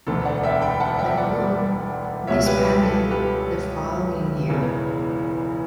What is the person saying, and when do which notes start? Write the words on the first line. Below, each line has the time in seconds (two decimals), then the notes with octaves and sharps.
The group disbanded the following year.
0.07 E1 D2 D3 A4
0.25 D5 F#5
0.43 E5 G5
0.61 G5 B5
0.80 F#5 A5
0.99 E5 G5
1.17 D5 F#5
2.27 C#2 B2 G3 C#5 E5
2.46 G4 B4
2.65 G4
2.83 A4
3.11 G4 B4
4.49 E1 E2 C#3 E3